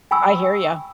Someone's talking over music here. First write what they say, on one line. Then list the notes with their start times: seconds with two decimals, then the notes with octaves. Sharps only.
I hear ya.
0.11 G5 G#5 B5 C#6 D#6 E6